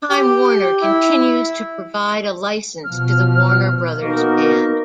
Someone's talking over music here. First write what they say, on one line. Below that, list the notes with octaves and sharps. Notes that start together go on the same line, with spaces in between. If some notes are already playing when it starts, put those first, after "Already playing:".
Time Warner continues to provide a licence to the Warner Brothers brand.
G4
E4
B2 F3 F6
B2 A#3 B3 D#4 F#4 A#4